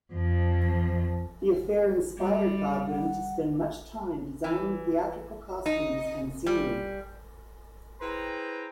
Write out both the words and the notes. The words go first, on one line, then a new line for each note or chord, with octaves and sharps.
The affair inspired Godwin to spend much time designing theatrical costumes and scenery.
F2 F3
G3
F#5
E3
D#4
G3
E4 G#4 B4 C5 G5 A#5